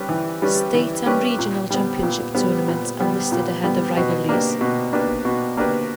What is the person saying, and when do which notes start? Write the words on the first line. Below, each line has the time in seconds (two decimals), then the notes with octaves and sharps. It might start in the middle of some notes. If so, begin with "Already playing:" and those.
State and regional championship tournaments are listed ahead of rivalries.
Already playing: G3 C#4 B4
0.09 E3
0.42 G3 C#4 G4 B4
0.74 E3
1.06 G3 C#4 G4 B4
1.39 A#2
1.70 G3 B3
2.03 A#2
2.35 G3 B3
2.68 A#2
3.00 G3 B3
3.32 A#2
3.64 G3 B3
3.97 B2
4.29 A#3 D4 G4 B4
4.61 B2
4.93 A#3 D4 G4 B4
5.25 B2
5.57 A#3 D4 G4 B4